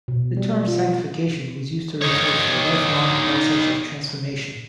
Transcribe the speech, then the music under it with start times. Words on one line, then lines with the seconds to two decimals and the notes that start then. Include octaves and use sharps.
The term "sanctification" was used to refer to the lifelong process of transformation.
0.08 B2
0.37 G3
0.68 F4
2.01 D#4 C#5